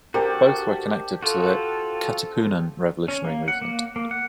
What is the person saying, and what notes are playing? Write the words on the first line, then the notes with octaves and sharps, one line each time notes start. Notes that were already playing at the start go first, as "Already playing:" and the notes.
Both were connected to the "Katipunan" revolutionary movement.
D4 F#4 G4 A4 A#4 C5
F4 F#4 A4
C#4
A#3
F#5
A#3
A#3
F#5